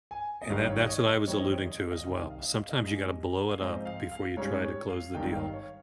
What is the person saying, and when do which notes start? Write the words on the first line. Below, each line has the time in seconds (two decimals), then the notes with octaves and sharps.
And that that's what I was alluding to as well. Sometimes you gotta blow it up before you try to close the deal
0.11 G#5
0.42 D#5
0.50 G#1 G2 D#3 F5
0.69 C#5
0.83 D#5
0.89 C#5
1.08 D#5
1.27 F2 D#3 G3 C4 C#5
1.39 D#5
1.51 C#5
1.66 D#5
1.79 F5
1.92 D#5
2.05 C2 C3 D#3 F5
2.17 D#5
2.31 F5
2.43 D#5
2.56 F5
2.69 D#5
2.82 G#2 G3 C#4
3.50 F5
3.60 G#2 F3 C4 D#4 D#5
3.85 F5
4.11 F5
4.37 G#2 G3 C#4 C#5
4.64 C#5
4.89 F5
5.14 G#1 G2 D#3 G5
5.34 F5
5.54 C#5